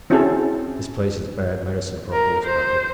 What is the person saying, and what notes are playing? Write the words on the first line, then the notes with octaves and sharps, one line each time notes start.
This place is bad medicine for a horse battle.
C4 C#4 E4 F#4 G#4 A4
A#4
C5